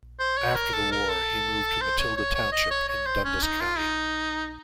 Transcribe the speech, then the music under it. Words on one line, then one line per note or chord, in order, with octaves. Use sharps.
After the war, he moved to Matilda Township in Dundas County.
C5
C#5
A#4
A4
A#4
A4
C5
C#5
C#5
C#5
D#5
C#5
C#5
C5
C#4
D#4
F4
D#4